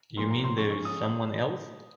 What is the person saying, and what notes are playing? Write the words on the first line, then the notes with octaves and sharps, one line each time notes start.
You mean there's someone else?
A#2 F3 A#3 C6
A#5
C6
C#3 F3 G#3 C#6
C#6
D#6